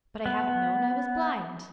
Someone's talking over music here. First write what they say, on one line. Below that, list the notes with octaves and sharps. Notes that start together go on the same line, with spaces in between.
"But I haven't known I was blind!"
B3